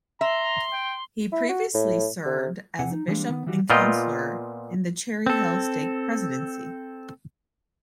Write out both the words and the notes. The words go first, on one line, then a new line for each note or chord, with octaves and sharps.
He previously served as a bishop and counselor in the Cherry Hill Stake Presidency.
E5 A#5 C6
G5
E4
F#4
A2
C3
E2 C3 G#4 F#5
D#4
E3 G3 G#3 A#3 D4
D#3 B3
D#3 E3 G3 F#4 G4
A#2 B3 F4 D#5 G5
C4 A4